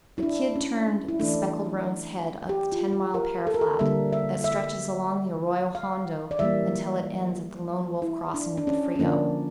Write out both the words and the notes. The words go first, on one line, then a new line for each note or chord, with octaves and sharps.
The Kid turned the speckled roan's head up the ten-mile pear flat that stretches along the Arroyo Hondo until it ends at the Lone Wolf Crossing of the Frio.
E4
D4
C#4
D4
E4
E3 A3 D4
G4
F4
G4
A#4
A4
A#4
A4
D3 G3 A#3 E5
E5
E5
F5
D5
E3 G3 A#3 E5
E4
D4
D4
C#4
C#4
D3 F3 A#3 D4